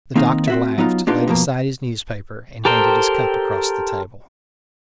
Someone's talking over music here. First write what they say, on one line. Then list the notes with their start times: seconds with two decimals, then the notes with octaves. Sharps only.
The doctor laughed, laid aside his newspaper, and handed his cup across the table.
0.16 D#3 A#3 C4 D#4
0.48 C4 F#4 E5
0.78 F#3 B3 D#4 F4
1.07 A#3 B3 D4 D#4 F4 G4
1.28 B2 F3 A#3
2.65 G4 A4 A#4 C5 G5